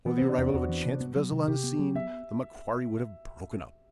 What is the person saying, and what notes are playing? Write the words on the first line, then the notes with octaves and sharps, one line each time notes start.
Before the arrival of a chance vessel on the scene, the MACQUARIE would have broken up.
E3 B3
C4
C3
D4
E2
E2 F#4
E3
C3
B3
F#3
C3
C3 G4
B3
F#3
B3 E5